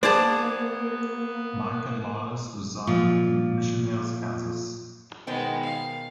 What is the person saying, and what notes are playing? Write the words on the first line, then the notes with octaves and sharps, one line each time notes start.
Mike and Marlys reside in Mission Hills, Kansas.
A#3 B3 G#4 C5 D5 A5
A#2 F3
B2 D#3 G#3 B3 C5 G5
F5